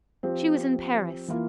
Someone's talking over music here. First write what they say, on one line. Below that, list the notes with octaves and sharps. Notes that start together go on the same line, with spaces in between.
She was in Paris.
F3 C4 G4
E3 A#3 F4